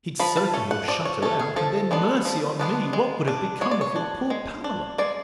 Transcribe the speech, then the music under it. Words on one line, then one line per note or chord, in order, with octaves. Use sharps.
He'd certainly have shut her out, and then, mercy on me! what would have become of your poor Pamela?
F3 B5
A5
A3 C#4
F#5
F3 D5
C#5
A3 C#4 A4
G#4
F3 A4
G#3 B3 D4
F3
G#3 B3 D4
G#3
D4
G#3 C#5
D5
C#5
D4
G#3
D4
G#3 D5